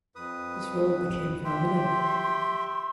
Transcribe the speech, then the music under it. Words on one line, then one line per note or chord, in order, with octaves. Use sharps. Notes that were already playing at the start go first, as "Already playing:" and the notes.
This role became phenomenon.
F2 B4 D#6
G4 E5 G5 C6